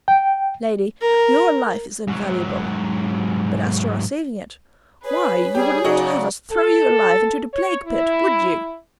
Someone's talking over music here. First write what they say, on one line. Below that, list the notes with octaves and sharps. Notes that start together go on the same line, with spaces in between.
"Lady, your life is invaluable; but as to our saving it, why, you would not have us throw you alive into the plague-pit, would you?"
G5
A#4
G#2 F#3
G#4 B4 C#5
G3 G4 G#4
C#3 F#3 D#4 F#4 D5
A4
C#5
E4